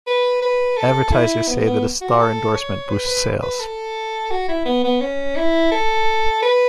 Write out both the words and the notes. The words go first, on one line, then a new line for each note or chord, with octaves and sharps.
Advertisers say that a star endorsement boosts sales.
B4
B4
A4
E4
B3
B3
F#4
A4
C#5
B4
B4
B4
A4
F#4
E4
B3
B3
C#4
E4
A4
B4